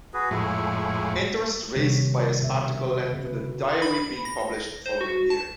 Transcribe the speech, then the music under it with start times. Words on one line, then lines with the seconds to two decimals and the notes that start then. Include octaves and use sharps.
Interest raised by his article led to the diary being published the following year.
0.14 F#4 G#4 B4
0.31 F2 A2 G#3 E4
1.75 C3 D#3 G3 G4 C#5
2.42 B2 A#4 E5
3.13 C#3 B4
3.39 F#4
3.82 B5
4.25 A#6
4.86 C5
5.01 F#4
5.30 A5